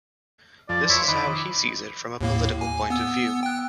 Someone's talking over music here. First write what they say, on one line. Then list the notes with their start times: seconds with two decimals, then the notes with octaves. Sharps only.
This is how he sees it from a political point of view.
0.69 F2 D5
0.89 E4 C5 C#5
1.08 D#3 B5 D6
2.21 D#2 A2 A#3
2.61 G#5
2.90 B3 E6
3.43 G5 F#6